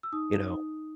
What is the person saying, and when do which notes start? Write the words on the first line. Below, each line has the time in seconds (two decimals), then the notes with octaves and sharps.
You know,
0.03 E6
0.13 D#4 D#6
0.49 D#4